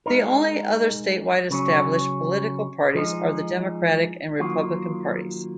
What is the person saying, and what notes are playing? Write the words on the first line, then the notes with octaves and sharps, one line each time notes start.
The only other statewide established political parties are the Democratic and Republican parties.
G#3 D#4 A#4
C#3 F#3 C#4
F3 G#3 D#4
D#3 F#3 A#3 F4